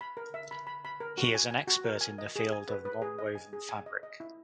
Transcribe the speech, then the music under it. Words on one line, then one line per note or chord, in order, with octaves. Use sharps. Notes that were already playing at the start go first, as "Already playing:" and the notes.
He is an expert in the field of nonwoven fabric.
B5
A#4
E5
B5
B5
B5
A#4
F#4
G#5
G#5
F#4
A#4
G#5
D#5
G#4
G#5
B4
B4
G#4
D#5
G#5
G#4
G#5
D#5
D#5
E4